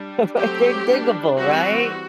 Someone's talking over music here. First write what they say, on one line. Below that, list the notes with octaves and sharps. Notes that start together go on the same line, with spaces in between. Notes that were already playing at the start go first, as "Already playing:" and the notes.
but they're diggable, right?
Already playing: G3 D4
F#3 A3 C4 G4
G3 D4
E3 G3 C4 F#4